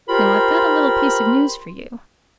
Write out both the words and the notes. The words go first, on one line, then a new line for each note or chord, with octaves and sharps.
Now I've got a little piece of news for you.
F4 G4 A#4 C5 B5 C6